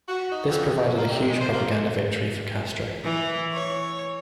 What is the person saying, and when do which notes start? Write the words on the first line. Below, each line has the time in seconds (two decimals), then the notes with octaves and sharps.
This provided a huge propaganda victory for Castro.
0.07 F#4
0.31 D#4
0.48 F2
0.74 F2
0.97 A#3
1.10 C3
1.28 G#3
1.41 C5
1.54 A#3
3.03 E3
3.53 C#5